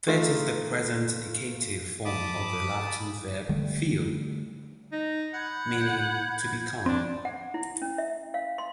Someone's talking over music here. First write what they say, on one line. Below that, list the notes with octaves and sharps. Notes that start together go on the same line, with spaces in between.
'Fit' is the present indicative form of the Latin verb fio meaning 'to become'.
A3 D#4 F4
A5 B5 D6 D#6
D3 G3 A3
D#4
F#5 B5 G6 G#6
C4 D4
F#5
E4
C#4
E5
F5
C6